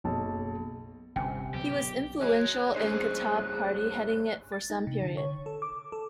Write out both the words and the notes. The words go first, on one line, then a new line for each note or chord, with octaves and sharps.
He was influential in Kataeb Party heading it for some period.
F#1 B1 A5
G1 C3 C#4 G5 G#5
B1 G4
F#3 G#3 C#5 F#6
G2 A#3 C#4 D#4 G#4 C5 F#6
A6
D#4
C3
D3
C#5
A4
D6
A4